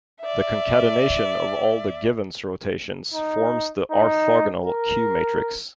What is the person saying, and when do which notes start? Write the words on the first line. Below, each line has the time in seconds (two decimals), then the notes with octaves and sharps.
The concatenation of all the Givens rotations forms the orthogonal "Q" matrix.
0.21 D5 E5
3.14 D#4
3.91 D#4
4.62 A#4